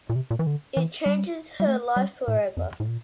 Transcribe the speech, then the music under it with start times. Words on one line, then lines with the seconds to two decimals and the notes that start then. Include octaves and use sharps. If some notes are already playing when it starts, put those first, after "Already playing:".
It changes her life forever.
0.09 A#2
0.16 C3
0.31 A#2
0.39 E3
0.47 D3
0.77 E3
1.06 G3
1.60 G3
1.67 A3
1.96 G3
2.28 A2
2.57 F2
2.80 A2
2.88 A#2